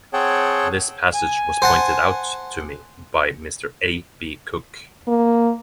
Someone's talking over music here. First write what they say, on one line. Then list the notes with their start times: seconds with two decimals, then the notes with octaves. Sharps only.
This passage was pointed out to me by Mr. A. B. Cook.
0.13 C4 G#4 C#5 F#5 G5 A5
1.15 G#5
1.62 C5 F#5 A5
5.08 A#3